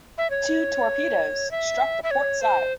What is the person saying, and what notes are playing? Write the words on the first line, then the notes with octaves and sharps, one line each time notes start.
Two torpedoes struck the port side.
E5
C#5
E5
E5
C#5
C5